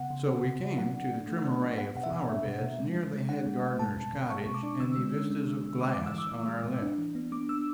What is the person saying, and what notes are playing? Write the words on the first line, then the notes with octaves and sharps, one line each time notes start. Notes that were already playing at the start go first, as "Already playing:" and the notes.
So we came to the trim array of flower-beds near the head gardener's cottage and the vistas of "glass" on our left.
Already playing: C#3 B3 F#5
C#3
B3
C#3
C#3
F#3 F#5
D4
D4
A3
D4
D4
B3 F#5
B2 F#5
E5
B2
B3
B2
B2
G#3
G#3
G#3
D4 F#5
G#3
G#3
B2 A5
B2
B2
G#3 C#6
B2
D6
D4
D3 E6
G#3
C#4
G#3
D3
D3
G#3 D6
D6
E3
E6
E3 D6
E3
G#3
A2
D4
E3
B3
B3 D6
B3 E6